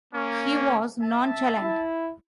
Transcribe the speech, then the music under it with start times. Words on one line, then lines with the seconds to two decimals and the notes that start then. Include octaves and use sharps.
He was nonchalant.
0.13 A#3 C#4
1.01 E5 A5
1.62 E4